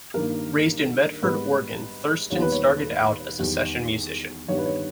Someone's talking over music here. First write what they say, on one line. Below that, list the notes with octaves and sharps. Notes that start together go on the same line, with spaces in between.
Raised in Medford, Oregon, Thurston started out as a session musician.
G2 D#3 A#3 A#4
G#2 G3 B3 B4
D#2 D#3 G3 B3 C#5
B4
C#5
E2 D#3 G3
G2 D#3 G3 B3 C#5
B4
C#5